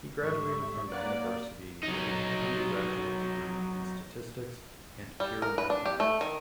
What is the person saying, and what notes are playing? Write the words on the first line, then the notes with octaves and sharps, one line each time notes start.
He graduated from the university with an undergraduate degree in statistics and pure mathematics.
G#2 G3 E5 C#6
A#3 B4 C#5 D5 F#5 F#6
F#3 D#4
G3
A#4
B4
D4
G4
A3
D#3